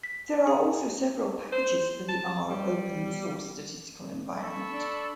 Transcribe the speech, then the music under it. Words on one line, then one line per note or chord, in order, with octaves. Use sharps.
There are also several packages for the R open source statistical environment.
B6
G#4
C5
A5
G3
A4 B5 C#6
D4